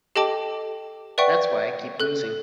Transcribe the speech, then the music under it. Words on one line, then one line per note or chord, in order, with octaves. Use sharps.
That's why I keep losing.
G4 A4 D#5 G5 A5 D6
B4 D5 E5 F#5 G5 C#6
A4 F#6